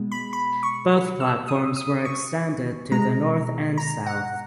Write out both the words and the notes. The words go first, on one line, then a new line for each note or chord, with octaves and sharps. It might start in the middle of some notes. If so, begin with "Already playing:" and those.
Both platforms were extended to the north and south.
Already playing: B2 G#3
B5
B5
C#6
E6
D#6
D#6
C#6
B2 G#3 A#5
A#5
F#5